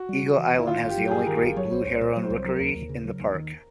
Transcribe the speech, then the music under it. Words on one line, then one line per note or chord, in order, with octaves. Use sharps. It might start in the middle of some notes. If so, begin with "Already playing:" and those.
Eagle Island has the only great blue heron rookery in the park.
Already playing: F#4
G3
C#3
E3
D2
E4
D#3 F4
G1
G4
F#3
G4
G2 G#4
D#3 A#4
G1 G#4
F#3 C#5
C2 C5
C2 C5
A#2 C#5
F#3
C5
C2
F#3 A#4
D#2
D#2
C#3
F#3
D#2
D#3